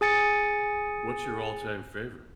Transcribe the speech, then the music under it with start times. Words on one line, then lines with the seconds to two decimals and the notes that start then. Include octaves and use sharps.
What's your all-time favorite?
0.01 G#4 G#5 A6 C#7